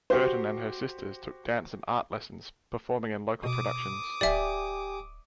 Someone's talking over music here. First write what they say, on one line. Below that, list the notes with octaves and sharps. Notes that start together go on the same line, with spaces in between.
Burton and her sister took dance and art lessons, performing in local productions.
F#4 G4 C5
B2 D6 D#6
D1 G4 D5 E5 G5 G#5